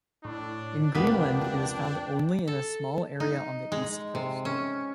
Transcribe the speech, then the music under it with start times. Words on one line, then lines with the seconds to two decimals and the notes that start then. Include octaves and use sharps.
In Greenland it is found only in a small area on the east coast.
0.25 A2 D4
0.95 F1 C#2 A#3 B3 G5 B6
2.48 A4
3.20 D#4
3.72 G#3
4.15 C3
4.45 C#4